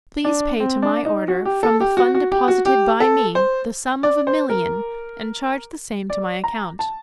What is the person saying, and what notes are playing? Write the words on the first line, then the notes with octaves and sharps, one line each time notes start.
Please pay to my order, from the fund deposited by me, the sum of a million, and charge the same to my account.
D4
C4
D4
D#4
F#4
G4
A4
G4
F#4
F#4
G4
F#4
G4
A4
C5
D5
C5
A#4
D5
A#5
A5